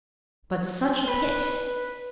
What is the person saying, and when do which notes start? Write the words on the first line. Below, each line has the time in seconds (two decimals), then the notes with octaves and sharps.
But such a pit!
1.07 B4